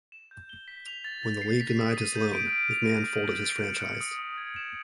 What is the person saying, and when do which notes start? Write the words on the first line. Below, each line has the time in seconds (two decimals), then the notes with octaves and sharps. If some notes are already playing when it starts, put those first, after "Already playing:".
When the league denied his loan, McMahon folded his franchise.
0.12 E7
0.31 G6
0.49 G7
0.68 B6
0.86 F7
1.04 A6
1.23 A6
1.42 C7
1.60 B6
1.79 D#6
1.97 D#7
2.15 G6
2.34 D7
2.52 F6
2.71 F7
2.90 A#6
3.08 F#7
3.26 A6
3.45 A6
3.64 C#7
3.82 C#7
4.01 D#6
4.19 D#6
4.38 G#6
4.56 E7